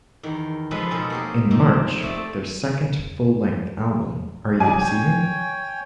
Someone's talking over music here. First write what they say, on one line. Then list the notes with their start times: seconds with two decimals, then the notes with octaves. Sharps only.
In March, their second full-length album, Are You Receiving?
0.23 E2 D#3
0.71 C#3 F3 G#3 G#4 A4 B4
0.91 B2 C4 C#4 D#4 F#4 A4
1.10 A#3 G4 G#4
1.51 F2 C4 D#4 G4
2.02 A3 C4 D5 A5
4.60 F#3 D#4 D5 G#5
4.80 C#5 G5